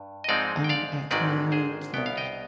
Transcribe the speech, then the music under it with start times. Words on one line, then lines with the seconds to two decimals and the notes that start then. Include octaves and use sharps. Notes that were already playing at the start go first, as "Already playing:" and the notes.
um, at times, and
Already playing: G2
0.24 D#5
0.29 G#2 F3 G#3 C4 D#4 D5 F5
0.64 G5
0.69 D5 F5
1.11 G#1 G#2 D#3 G#3 C4 B4 D5
1.52 G#4 C5
1.94 C2 B2 B3 G5
2.06 F5
2.17 D#5 G5